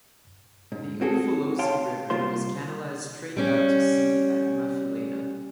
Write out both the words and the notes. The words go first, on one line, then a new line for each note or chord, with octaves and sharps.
The Umfolozi River was canalized straight out to sea at Maphelana.
G#2
C4 F#4 G#4 A4
C#5 F5 G5 A5 C6
C2 A#3 F4 C5 C6
G3 C#4